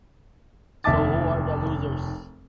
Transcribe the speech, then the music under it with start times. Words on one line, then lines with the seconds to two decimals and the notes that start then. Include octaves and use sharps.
So who are the losers?
0.84 F1 D#2 E5 A5 D6 A6